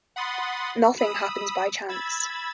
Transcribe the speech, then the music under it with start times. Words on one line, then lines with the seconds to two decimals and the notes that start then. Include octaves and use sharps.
Nothing happens by chance.
0.16 F#5 B5 C6 D#6 A6
0.98 B5 D#6 E6
1.89 B5 E6 G#6 A6